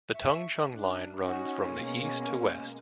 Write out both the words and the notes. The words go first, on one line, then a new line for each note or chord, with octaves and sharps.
The Tung Chung Line runs from the east to west.
E5 C#6
D4
C#4 D#4 F#4
B2 G#3 A#3